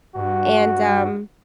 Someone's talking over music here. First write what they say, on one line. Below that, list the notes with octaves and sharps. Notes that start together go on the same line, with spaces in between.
And, um,
G2 F#4